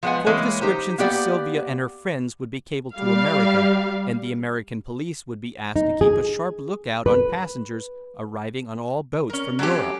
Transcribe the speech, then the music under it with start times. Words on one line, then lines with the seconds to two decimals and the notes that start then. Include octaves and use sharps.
Full descriptions of Sylvia and her friends would be cabled to America, and the American police would be asked to keep a sharp look-out on passengers arriving on all boats from Europe.
0.03 F3 G#3 B3 D5 F#5 G#5
0.26 E3 G#3 A#3 C4 C#5
0.61 D#4 G4 C5 A#5
0.98 A#3 B3 G4 D5 F#5
2.95 G3 F5
5.76 D#4
6.01 G#4
7.06 B4
9.30 C#4 A#4
9.59 F#3 A3 C4 C#4 G4